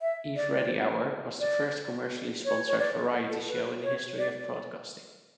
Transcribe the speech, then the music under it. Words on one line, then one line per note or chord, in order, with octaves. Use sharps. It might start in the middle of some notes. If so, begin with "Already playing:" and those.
"Eveready Hour" was the first commercially sponsored variety show in the history of broadcasting.
E5
D5
D5
C#5
C#5
D5
A4
B4
C#5
D5